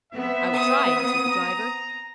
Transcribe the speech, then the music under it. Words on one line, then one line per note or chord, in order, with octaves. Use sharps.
"I will try," answered the driver.
B3 C4 E5
D#6
A#5